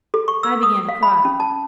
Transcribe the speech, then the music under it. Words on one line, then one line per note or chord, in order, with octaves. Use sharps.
I began to cry.
A4
C#6
E6
D#6
F5
B5
C#4
A5